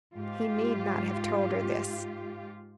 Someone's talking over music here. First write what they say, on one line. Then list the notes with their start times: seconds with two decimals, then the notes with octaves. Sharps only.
He need not have told her this.
0.14 G#2 F4 G4